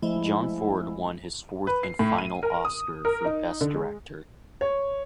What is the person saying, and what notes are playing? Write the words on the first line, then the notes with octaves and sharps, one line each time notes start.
John Ford won his fourth and final Oscar for best director.
F3 G#3 A3 E4
B4
C7
A2
D#7
A#4
D#6
A#4
D#4
D3
G#3
C#5